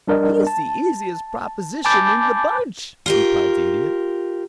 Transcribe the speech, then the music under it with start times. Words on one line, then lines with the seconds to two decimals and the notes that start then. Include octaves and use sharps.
"He's the easiest proposition in the bunch," replied the Idiot.
0.08 G3 D4 A#4 D5 D#5
0.47 A5
1.85 G#5 A5 B5 D6 G6 A6
3.06 F4 G4 A#4